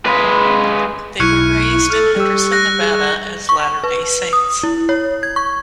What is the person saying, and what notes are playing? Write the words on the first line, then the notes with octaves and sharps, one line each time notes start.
They were raised in Henderson, Nevada, as Latter-Day Saints.
G#3 B4
B1 E4 C#6 F6 F#6 G#6 C#7
A4 F6 A6
G3 G4 E6
F#6 A#6
G#4
C#6
B4
D#6
E4
C#5
G#6
C#6